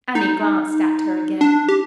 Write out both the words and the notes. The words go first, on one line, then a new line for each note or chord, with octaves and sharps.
Annie glanced at her again.
D#4
D4
G4